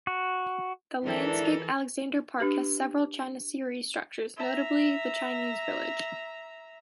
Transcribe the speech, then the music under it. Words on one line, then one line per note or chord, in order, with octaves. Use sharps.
The landscape Alexander Park has several Chinoiserie structures, notably the Chinese Village.
F#4
G#2 E3 D4 E4 A4 A#4
D4 G4 B4
E5 A#5